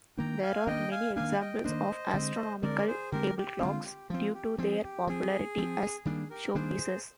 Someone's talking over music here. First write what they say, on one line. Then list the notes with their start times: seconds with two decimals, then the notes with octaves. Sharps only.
There are many examples of astronomical table clocks, due to their popularity as showpieces.
0.17 D#3 A#3 D4 G5 A#5
0.42 F5 G#5
0.67 D#3 A#3 D4 D#5 G5
0.91 F5 G#5
1.16 D#3 A#3 D4 F5 G#5
1.40 D#5 G5
1.65 D#3 A#3 D4 C5 D#5
2.13 D3 G#3 C4
2.63 D3 G#3 C4 A#4 D5
2.87 G#4 C5
3.11 D3 G#3 C4 G4 A#4
3.37 G4
3.61 D3 G#3 C4 F4
3.85 G4
4.10 F3 C4 F4
4.34 G4
4.58 F3 C4 G#4
4.83 G4
5.07 F3 C4 G#4
5.58 F3 C4
6.05 D#3 G3 A#3 D4 G#4
6.30 G4 A#4
6.55 D#3 G3 A#3 D4 G#4 C5